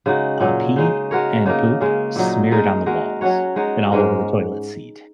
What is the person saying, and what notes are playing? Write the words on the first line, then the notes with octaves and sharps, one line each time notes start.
uh, pee and poop smeared on the walls and all over the toilet seat.
C#3 G#3 D#4 F#4
A#2 F#3 C#4
C#3 G#3 D#4
G#3 F#4 A#4 C#5
C#3 A#3 D#4 A#4
C#3 G#3 C#4
A#2 F#3 D#4
G#3 D#4 A#4
G#3 F#4 A#4
F#3 C#4 F#4 C#5
G#3 D#4 F#4 C#5
G#2 G#3 C#4 A#4